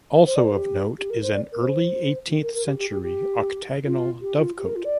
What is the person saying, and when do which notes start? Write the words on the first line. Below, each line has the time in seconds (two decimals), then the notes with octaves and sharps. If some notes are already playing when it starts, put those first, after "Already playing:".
Also of note is an early eighteenth century octagonal dovecote.
0.26 C5
0.35 D5
0.44 C5
0.53 G4
0.98 G4
1.10 A#4
1.22 C5
1.34 D5
1.52 A#4
1.61 C5
2.42 A#4
2.54 A#4
2.66 G4
2.78 G4
2.89 G4
3.02 G4
3.85 F4
4.21 G4
4.38 F4
4.57 G4
4.66 A#4
4.75 F4
4.84 D5